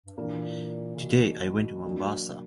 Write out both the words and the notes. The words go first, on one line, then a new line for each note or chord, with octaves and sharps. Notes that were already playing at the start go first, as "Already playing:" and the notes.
Today I went to Mombasa.
G2
A#2 E3 A#3 D4
C#3
B2
F#3 A#3 D4